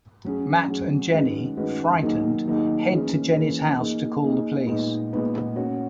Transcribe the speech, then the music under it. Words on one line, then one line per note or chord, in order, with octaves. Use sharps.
Matt and Jenny, frightened, head to Jenny's house to call the police.
F#3 C#4 G#4
F#3 C#4 G#4
D#3 G#3 C#4 F#4 B4
D#3 G#3 C#4 F#4 B4
D#3 F#3 A#3 D#4 G#4
D#3 F#3 A#3 D#4 G#4
E3 A#3 C#4 G#4
E3 A#3 C#4 G#4
A#3 D#4 G#4
A#3 D#4 G#4
A#2 G#3 B3 D#4
A#2 G#3 B3 D#4
A#3 C#4 F#4 C#5